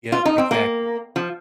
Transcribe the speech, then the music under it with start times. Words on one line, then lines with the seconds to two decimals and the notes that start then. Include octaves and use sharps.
yep, exactly.
0.12 F4
0.25 D#4
0.38 C4
0.51 A#3
1.16 F3